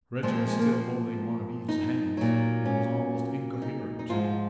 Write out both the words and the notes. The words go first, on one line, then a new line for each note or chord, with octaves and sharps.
Reggie was still holding one of Eve's hands and was almost incoherent.
A#2 F3 G#3 C4
A#3
G#3
A#3
C4
D#4
A#2 F#3
C#4
D#4
D#4
G#2 F3 G#3 F4